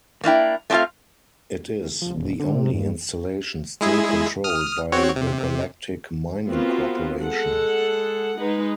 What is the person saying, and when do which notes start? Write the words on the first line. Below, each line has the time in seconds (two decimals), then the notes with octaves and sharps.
It is the only installation still controlled by the Galactic Mining corporation.
0.24 A#3 D4 E4 G5
0.70 A3 C4 D4 E4 F4 F5
2.01 F3
2.17 D#1
2.39 D3
2.55 C3
2.74 G2
3.81 G#3 E4 G#4
4.44 D#6 F6
4.92 C4 F#4 C#5
5.16 C3
6.47 B3 C4 F4 F#4 A#4 B4
7.21 G#3 A4 F#5
8.38 G#3 D#4 B4